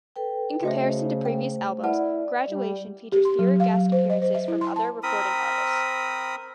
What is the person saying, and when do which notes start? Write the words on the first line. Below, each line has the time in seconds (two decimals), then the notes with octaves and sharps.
In comparison to previous albums, "Graduation" features fewer guest appearances from other recording artists.
0.16 A4 B4 G5
0.63 C#3 A3 F#4 C5 D#5 E5
1.25 G5
1.84 E4 B4 D5 F#5 A5
2.50 G3
3.12 G4
3.25 C6
3.39 F#3
3.60 F5
3.74 F#3
3.92 C5
4.10 D#5
4.22 C5
4.35 E5
4.48 E4
4.61 C6
4.76 A5
5.03 C4 A#4 B5 D#6